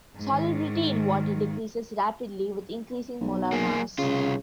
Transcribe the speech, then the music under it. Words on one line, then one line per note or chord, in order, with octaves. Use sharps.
Solubility in water decreases rapidly with increasing molar mass.
G#2 D#3
B1
A#3 G#4
C2 C#3 F4